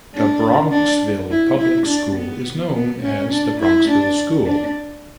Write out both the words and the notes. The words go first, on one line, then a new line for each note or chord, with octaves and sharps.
The Bronxville Public School is known as The Bronxville School.
D4
D4
E4
E4
D4
B3
B3
C#4
D4
E4
D4
D4